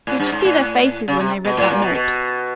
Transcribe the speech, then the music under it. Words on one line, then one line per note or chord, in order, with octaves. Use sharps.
"Did you see their faces when they read that note?"
A2
G2
G#2
A2
C#3
C3
B2
A2
A#2
B2
B2